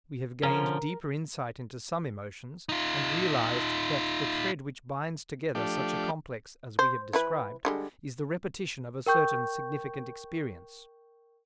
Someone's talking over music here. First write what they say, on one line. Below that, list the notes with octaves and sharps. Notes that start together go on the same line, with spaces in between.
We have gained deeper insight into some emotions and realize that the thread which binds together such a complex as we have described is the repetition of a certain significant experience.
D3 F3 C#4 A#4
D#4 F4
F3 A3 D4 G4
C5
E3 E4 B4
D3 G3 G#3
A#4 G5 C#6 G6